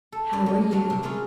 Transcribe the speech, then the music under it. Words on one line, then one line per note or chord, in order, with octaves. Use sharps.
"How are you?"
A4
F#2 D5 A5
F2 D#5
F#3 G3 A#3 D4
C3 G3
F#3 G#3 A#3 C#4 F4